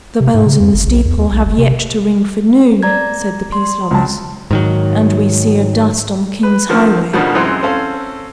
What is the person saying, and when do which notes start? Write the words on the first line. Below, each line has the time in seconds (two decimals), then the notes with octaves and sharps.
"The bells in the steeple have yet to ring for noon," said the peace-lovers; "and we see a dust on the king's highway."
0.20 C3
0.34 G#2
0.46 C#3
0.60 F2
0.74 G1
0.87 B1
1.05 E2
1.18 D#2
1.32 B1
1.46 G1
1.58 C3
2.83 D5 A#5 G#6
3.52 C6
3.91 C#2 A5
4.51 G#2 D#3 F#3
6.43 B4
6.69 D3 D#3 F3 A#3 C4 F6
7.13 F2 B2 D3 D#3 F3 G3
7.35 F#2 E3 G#3 C4
7.63 C4 C#4 A4 F5